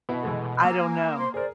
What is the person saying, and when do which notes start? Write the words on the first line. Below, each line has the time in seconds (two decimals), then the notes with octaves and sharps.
I don't know.
0.09 B2 B3 E4
0.23 E3 G#3 A3
0.65 A#3 G#5 E6
1.18 C5 C6
1.34 G#4 A#4 C5 D5